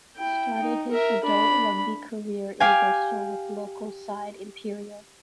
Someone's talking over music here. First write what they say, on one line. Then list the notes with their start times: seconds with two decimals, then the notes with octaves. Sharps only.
Started his adult rugby career in Bristol with local side Imperial.
0.17 E4 G5
0.61 D#4
0.91 A#4 E5
1.23 D4 B5
2.60 G4 F5 G#5